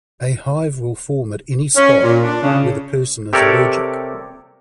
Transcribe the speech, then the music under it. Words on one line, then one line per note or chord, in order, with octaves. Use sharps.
A hive will form at any spot where the person is allergic.
C#4
A#2
D4
C#3
C3 G4 A4 A#4 C#5 D5